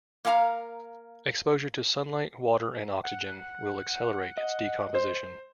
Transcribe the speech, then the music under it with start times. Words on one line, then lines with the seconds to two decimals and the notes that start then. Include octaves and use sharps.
Exposure to sunlight, water and oxygen will accelerate its decomposition.
0.25 A#3 A#4 F5 A5 A#5
3.04 F#5
4.37 D#5
4.95 C5